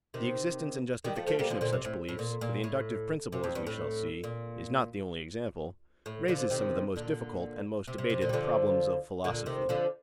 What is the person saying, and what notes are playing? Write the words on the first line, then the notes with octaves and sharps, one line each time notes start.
The existence and justification of such beliefs--for the inductive principle, as we shall see, is not the only example--raises some of the most difficult and most debated problems of philosophy.
C3 D#3
D#3 G3
F3 A3
F3 A3
G3 A#3
D3 F3
A#2 D3
C3
A2
A2
A#2
A#2
A2
C3
F2
G2
A2
A#2
A2
D3 F3
C3 D#3
A#2 D3
C3
C3
C3
A#2 D3
G3
D3 F3
A#2 D3
C3 D#3
D3 F3